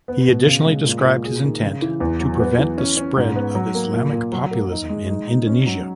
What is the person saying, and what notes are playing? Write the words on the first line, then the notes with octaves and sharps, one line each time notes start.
He additionally described his intent to prevent the spread of Islamic populism in Indonesia.
B3
B2
C#3
G#3
A#2
A#2
G#4
D#3
C#3
E3
E2
F#3
B3
E3
C#4
C#4
G#2
B3
F#3
A#3
A#2
A#2
F#3
A#3
D#4
G#3
D#4
D#4
C#4
F#3